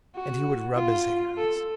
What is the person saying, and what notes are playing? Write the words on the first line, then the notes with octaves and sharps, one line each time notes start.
And he would rub his hands.
F#4
F4
A4